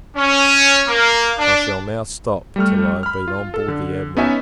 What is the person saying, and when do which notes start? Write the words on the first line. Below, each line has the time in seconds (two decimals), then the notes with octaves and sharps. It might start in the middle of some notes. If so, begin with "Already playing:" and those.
I shall now stop, till I have been on board the Admiral.
0.17 C#4
0.88 A#3
1.38 D4
2.56 G3 A3 F6
3.03 B5 F6
3.28 F4
3.54 A4
3.68 D3
4.17 B3 C#4 D#4 F#4 E5 G#5